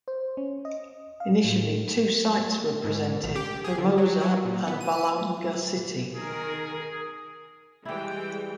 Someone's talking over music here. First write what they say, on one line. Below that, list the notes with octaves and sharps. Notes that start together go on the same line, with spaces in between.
Initially, two sites were presented: Hermosa and Balanga City.
C5
C#4
D#5
F5
A2
G#2
A1
G4
G#4
D3
F#3
F#3
A#2
B3
D#7
D#3 G#4 A#4
E3 G3 G#3 E4 G4 G5